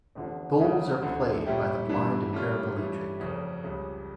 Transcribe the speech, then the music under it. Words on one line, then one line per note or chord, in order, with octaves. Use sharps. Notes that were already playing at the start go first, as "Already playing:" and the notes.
Bowls are played by the blind and paraplegic.
F1 E2 D3 F3
F1 E2 C#3 G3
D2 D3 F3 A3
A#2 G3 C#4 E4 G4
G2 E3 G3 D4
A2 G3 C#4 F4
G2 E3 G3 C#4
F1 F2 C#3
C#2 C#3 G3